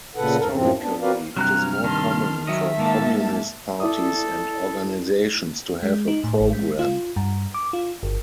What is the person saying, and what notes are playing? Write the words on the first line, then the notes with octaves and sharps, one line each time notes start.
Historically it is more common for communist parties and organizations to have a program.
A#2 C#3 A4 B4 F#5
D#2 G#2 A4 A#4
F#2 A2 F3 C4
B3 D4
C4 F#4 A#4 B4 D5 F5
G2 C3 F#3 A#5 F6 F#6
D#3 A5 C6
F#3 D#5 E5
G#2 A#3 A5
E4 A4 D5 D#6
G#3
D#4
A2
A1
G#3
F4
G2
D6
F4
G1